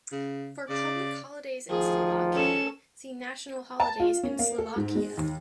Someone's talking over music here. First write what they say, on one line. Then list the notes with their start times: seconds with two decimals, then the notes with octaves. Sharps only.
For Public holidays in Slovakia see National holidays in Slovakia.
0.12 C#3
0.69 C#3 D5
1.69 D2 D#3 F3 G#4
2.35 C#4 A4 E7
3.80 A5
4.00 F4
4.23 C#4
4.39 A#3
4.58 A4
4.76 G#2
4.95 G#3
5.17 D#2